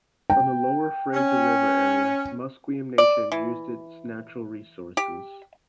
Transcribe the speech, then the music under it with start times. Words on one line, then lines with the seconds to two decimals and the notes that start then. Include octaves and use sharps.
From the lower Fraser River area, Musqueam Nation used its natural resources.
0.30 G5
1.13 C#4
2.98 D5
3.32 E3
4.97 G4